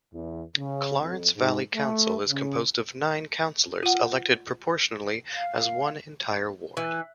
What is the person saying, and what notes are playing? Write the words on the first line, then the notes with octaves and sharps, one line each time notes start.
Clarence Valley Council is composed of nine Councillors elected proportionally as one entire ward.
E2
C#3
F2
G#2
A3
C#3
F4 F#5
F5
E3